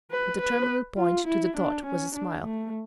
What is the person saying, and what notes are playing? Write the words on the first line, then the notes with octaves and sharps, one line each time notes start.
But the terminal point to the thought was a smile.
B4
B4
F4
E4
D4
C#4
D4
A3